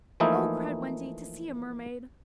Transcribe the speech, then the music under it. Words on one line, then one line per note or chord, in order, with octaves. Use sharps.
"Oh," cried Wendy, "to see a mermaid!"
E3 F3 A3 A#3 D#4 E4